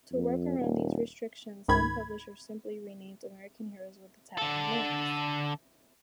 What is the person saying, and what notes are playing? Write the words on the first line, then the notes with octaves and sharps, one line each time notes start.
To work around these restrictions, some publishers simply renamed American heroes with Italian names.
F2
D#1
C#2 G#2 D#3 B5 G#6
D3 A4